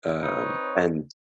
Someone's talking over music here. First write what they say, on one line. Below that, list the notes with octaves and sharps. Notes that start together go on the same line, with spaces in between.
Um, and
C4 D#4 B4 C#5